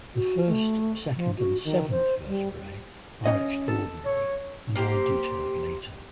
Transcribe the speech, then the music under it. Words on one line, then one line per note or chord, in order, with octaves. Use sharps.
The first, second, and seventh vertebrae are extraordinary, and are detailed later.
F#4
A3
F3
F#4
D#3
C5
G3
C#4 D#5
A4
C#5
A#3 G4 C5